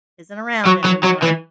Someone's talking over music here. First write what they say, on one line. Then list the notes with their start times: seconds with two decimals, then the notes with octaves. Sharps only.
isn't around anymore,
0.65 F#3
0.84 F#3
1.03 F#3
1.22 E3